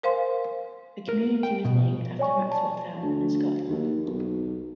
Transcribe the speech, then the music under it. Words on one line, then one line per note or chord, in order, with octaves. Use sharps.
The community was named after Maxwelltown, in Scotland.
A#4 C5 F5 G#5 C6
A#4
G5
B2
C#5 D5 G#5 C#6
D5 A5
D2
D#2
B1